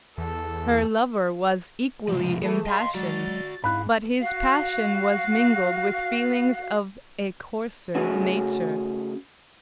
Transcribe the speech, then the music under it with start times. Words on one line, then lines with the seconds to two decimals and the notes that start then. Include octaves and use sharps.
Her lover was equally impassioned, but his passion was mingled with feelings of a coarser nature.
0.18 E2 A4
2.08 C2 C#3 F3 G#3
2.42 E3 A3 G#4 A5
2.66 D#5 F5 C6
2.95 F#3 G#3 F#4 D5 A6
3.64 G#2 E4 F5 B5 F#6
4.21 F#4 F5
7.95 C#3 A3 C#4 F#4 G#4